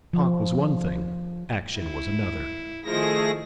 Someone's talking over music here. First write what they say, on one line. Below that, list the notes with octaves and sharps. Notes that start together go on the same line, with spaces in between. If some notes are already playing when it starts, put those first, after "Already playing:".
Talk was one thing, action was another.
F3
E4
D#3 F3 A3 E4 G#4 A#6